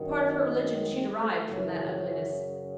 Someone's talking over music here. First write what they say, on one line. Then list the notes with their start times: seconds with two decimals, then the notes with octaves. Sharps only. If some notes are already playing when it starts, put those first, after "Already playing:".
A part of her religion she derived from that ugliness.
Already playing: F#2 D#3
0.92 C4
1.21 A3
1.49 F#2 C#3 E3 F#3
1.79 E3
2.07 E3